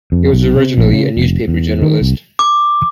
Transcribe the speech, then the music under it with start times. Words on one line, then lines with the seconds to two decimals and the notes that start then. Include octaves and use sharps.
He was originally a newspaper journalist.
0.12 F2
0.33 B1
0.57 C3
0.78 A#1
0.93 C#3
1.17 F1
1.48 E2
1.82 D#3
2.01 C2
2.39 D6